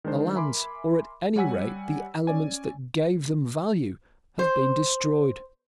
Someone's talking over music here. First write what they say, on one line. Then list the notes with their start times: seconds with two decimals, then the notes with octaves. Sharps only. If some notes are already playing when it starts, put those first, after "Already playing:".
The lands, or at any rate, the elements that gave them value, have been destroyed.
0.04 D#3 G#3 D4 C5
0.35 A#4 E5 G#5 B5 C6 D6
1.36 G3 C#5 F#5 G#5 E6 B6
2.27 C#4 D5 G#5
4.39 C5